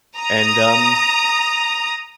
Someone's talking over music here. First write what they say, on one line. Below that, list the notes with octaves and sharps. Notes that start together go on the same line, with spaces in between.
and, um,
A#5 D#6